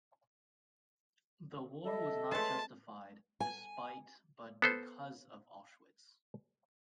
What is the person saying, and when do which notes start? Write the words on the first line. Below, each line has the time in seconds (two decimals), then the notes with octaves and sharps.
The war was not justified "despite but because of Auschwitz".
1.85 A4 D#5 E5
2.31 G#3 A3 B4 C#5 A5 C6
3.40 G#5
4.62 B3 A4 C5